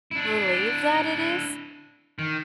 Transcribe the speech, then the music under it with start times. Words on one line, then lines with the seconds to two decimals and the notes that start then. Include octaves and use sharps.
believe that it is,
0.11 D4 E4
2.19 D#3